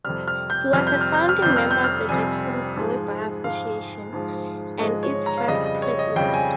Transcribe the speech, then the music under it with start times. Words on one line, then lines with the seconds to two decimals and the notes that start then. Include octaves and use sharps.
He was a founding member of the Jacksonville Bar Association and its first president.
0.04 F2 C3 G3 F6
0.28 F6
0.50 G6
0.73 F2 C3 G3 F6
0.87 G6
1.01 F6
1.14 G6
1.29 F6
1.41 F2 C3 G3 G6
1.56 F6
1.71 G6
1.84 F6
2.09 F2 C3 G3 G#5
2.77 G#2 F3 G#3
3.44 G#2 F3 G#3 F5
4.13 G#2 F3 G#3
4.80 G#2 F3 G#3 D#5
5.03 C#5
5.26 A#5
5.38 F5
5.48 F2 C#3 G3 D#5
5.66 D#5
5.82 C#5
5.99 D#5
6.16 F2 C#3 G3 G5
6.34 G#5